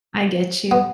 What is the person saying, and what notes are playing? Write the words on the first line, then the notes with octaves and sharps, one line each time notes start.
I get you.
B3